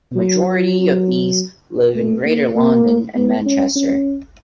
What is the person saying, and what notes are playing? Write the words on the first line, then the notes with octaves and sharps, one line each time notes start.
The majority of these live in Greater London and Manchester.
F#3
A3
A#3
A#3
B3
C#4
C#4